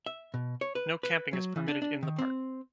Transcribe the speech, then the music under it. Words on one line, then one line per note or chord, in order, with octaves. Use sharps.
No camping is permitted in the park.
E5
B2
C#5
B4
B4
F#3
E3
D4
D4
D#3
C4